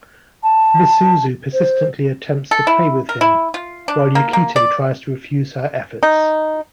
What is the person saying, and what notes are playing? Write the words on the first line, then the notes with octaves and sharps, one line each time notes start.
Misuzu persistently attempts to play with him, while Yukito tries to refuse her efforts.
A5
C5
A4
E4
A#4
E4
F4
D4
A#3
A#3
D5
D#4